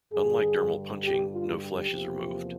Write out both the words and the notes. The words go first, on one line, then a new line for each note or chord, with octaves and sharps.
Unlike dermal punching, no flesh is removed.
G2 D3 G3 G#4
G4
F4
G4
E2 C3 F3 A#3